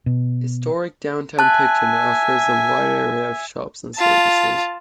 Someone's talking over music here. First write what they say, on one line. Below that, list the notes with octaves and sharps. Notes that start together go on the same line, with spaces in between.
Historic downtown Picton offers a wide array of shops and services.
B2
E5 G#5 A5 F#6
F4 A5